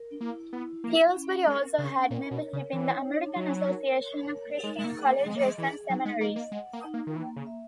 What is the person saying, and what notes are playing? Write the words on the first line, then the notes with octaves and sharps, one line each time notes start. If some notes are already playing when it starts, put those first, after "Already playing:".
Pillsbury also had membership in the American Association of Christian Colleges and Seminaries.
Already playing: A#4
A#3 E4
B3 E4
A#3 E4
C#4
G#3 A#4
C#3 C#4
A#2 A#4
B2
C#5
C#3
E3 C#5
D#4
F#3 C#5
A#4
C#5
A#4
G#3 D#4
G#3
A#3
G#4
A#3
G#3 D#5
A#3
G#3
E3 G#4
F#3 D#4
G#3
A#3 D#5
A#3
G#3 F#5
A#3
D#4
A#3
D#3
E3 A#3
C#3
E5